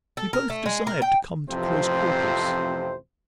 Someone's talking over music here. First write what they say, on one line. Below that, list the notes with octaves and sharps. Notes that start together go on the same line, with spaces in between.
We both desired to come to close quarters.
A4
A#4
A3
G#3
A#4
G5
A1 F2 C3 F3 C5